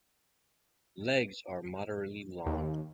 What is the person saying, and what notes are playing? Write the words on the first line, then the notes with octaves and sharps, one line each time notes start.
Legs are moderately long.
D#2